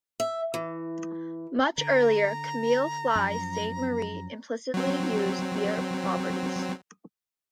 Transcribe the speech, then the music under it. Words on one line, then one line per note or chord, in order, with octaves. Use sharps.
Much earlier, Camille Flye Sainte-Marie implicitly used their properties.
E5
E3
D3 A#5
F#2 F3
F#3 C4